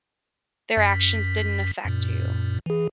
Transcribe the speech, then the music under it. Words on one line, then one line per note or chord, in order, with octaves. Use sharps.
their actions didn't affect you.
F#2 B6
F#2 A#2
E3 G#4